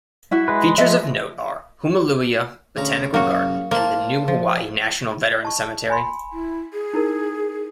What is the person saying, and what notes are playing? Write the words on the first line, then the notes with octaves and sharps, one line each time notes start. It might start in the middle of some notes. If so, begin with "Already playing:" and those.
Features of note are Hoomaluhia Botanical Garden and the new Hawaii National Veterans Cemetery.
E4 F#4 E5
G#3 B4
F3 B4 D#5 E5
D2 C#3 A#5
F#2 C#3 A#3 F#4
A#3 C5 A5
F3
D#5 A5 C#6
G#5 B5 C6
E4
G#4
D#4 E4 A#4